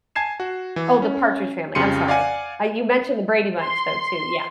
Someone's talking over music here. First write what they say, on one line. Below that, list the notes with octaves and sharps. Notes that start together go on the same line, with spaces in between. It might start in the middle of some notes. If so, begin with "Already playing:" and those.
Oh, The Partridge Family, I'm sorry. Oh, you mentioned The Brady Bunch, though, too, yeah,
G#5 A5 G#6 C7 E7
F#4
E3
C#4
F2 C#3 G4 C6 C#7 D#7
D5 F5 F#5 G#5
C6